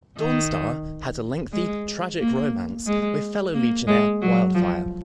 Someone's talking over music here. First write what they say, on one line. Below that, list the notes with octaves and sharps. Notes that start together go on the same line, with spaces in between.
Dawnstar had a lengthy, tragic romance with fellow Legionnaire Wildfire.
D#3
G#3
A#3
G#3
A#3
G#3
F#3
F3